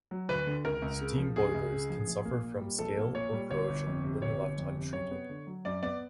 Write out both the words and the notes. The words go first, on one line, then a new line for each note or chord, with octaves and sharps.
Steam boilers can suffer from scale or corrosion when left untreated.
F#3
D2 B4
D3
C#2 A#4
C#2
C#3
F3
C#2 G#4
C#2
C#3
F3
A#1
A#3
A#2
G3
A#1 A4
A#3
A#2 C#5
G3
G1 C#5
G1
F2
C3
G1 C#5
G1
F2
C3
F#2 C#5
B3
D3
F#3
F#2 D5
B3 D5